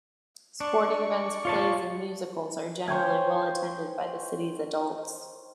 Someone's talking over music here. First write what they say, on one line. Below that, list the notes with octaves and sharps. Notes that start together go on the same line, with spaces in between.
Sporting events, plays and musicals are generally well attended by the city's adults.
D4 D5 C#6
F4 C#5 A5
C5 C#5 G5 G#5